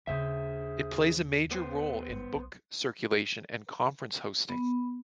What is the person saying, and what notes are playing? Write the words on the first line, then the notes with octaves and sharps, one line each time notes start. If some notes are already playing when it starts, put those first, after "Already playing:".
It plays a major role in book circulation and conference hosting.
D#2 C#3 D4 G#4 C5 E5
B3 C5
G#1 G2
B1
B3